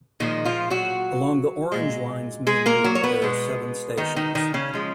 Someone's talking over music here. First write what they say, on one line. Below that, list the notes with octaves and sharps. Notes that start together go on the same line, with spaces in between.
Along the Orange Line's main route there are seven stations.
A#2 D#3 F3 G#3 D#4
F3 F4
F#3 F#4
A#2 G#3
G#3 G#4
A#3 A#4
F#3 F#4
C#5
B3 B4
B2 G#3
D#3 D#4
D#3 D#4
D#3 D#4
C#3 C#4
C#3 F3 G#3